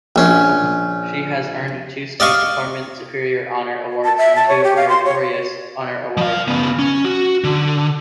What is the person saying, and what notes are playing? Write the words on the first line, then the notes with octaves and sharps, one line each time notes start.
She has earned two State Department Superior Honor Awards and two Meritorious Honor Awards.
A#1 C#4
D5 D#5 F5 C#6
A5
E5
A5
C#5
G4
F5
C6
C#5
F3 F5
C#3 B3
C#4
F#4
D3